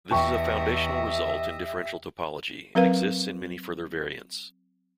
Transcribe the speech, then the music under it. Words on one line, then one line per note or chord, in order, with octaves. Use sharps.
This is a foundational result in differential topology, and exists in many further variants.
E2 G4 D#5 E5 G5 C#6
F#3 C4 A#4 B4 F5